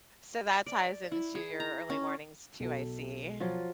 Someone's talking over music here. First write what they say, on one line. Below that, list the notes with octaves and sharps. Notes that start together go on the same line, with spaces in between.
So that ties into your early mornings too, I see.
D5
E4
G#4
A#5
C#4
B1 A4
F3 F#3 F4